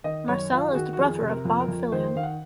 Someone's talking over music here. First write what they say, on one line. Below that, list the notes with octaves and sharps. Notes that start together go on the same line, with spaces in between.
Marcel is the brother of Bob Fillion.
D#3 D#5
F#2 C#5
D#3 F4
G#4
D#3 F#4
F#4
F2 G#4
C3
A#4
F2
A#4
F2
D#3 C5
D#3 F5
F#5